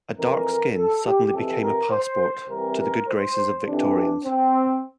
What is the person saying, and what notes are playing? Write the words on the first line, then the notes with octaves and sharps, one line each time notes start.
A dark skin suddenly became a passport to the good graces of Victorians.
F2 E3 A#4
A4
G4
F2 C3 E3 A4
A#4
C5
C2 C3 E3 A#4
A#4
C5
F2 C3 E3 D4
C4